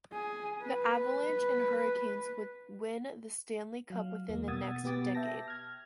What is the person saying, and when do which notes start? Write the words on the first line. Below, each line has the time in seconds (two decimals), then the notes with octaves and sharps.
The Avalanche and Hurricanes would win the Stanley Cup within the next decade.
0.12 G#4
0.62 B4
3.90 F#3 F5
4.29 E2 E3 A#3
4.48 B2 F#5 D#6 E6 G#6 A6
4.84 B2 B3 G4 D6 A6
5.15 E5 G5 A5 A#6
5.48 F6 G#6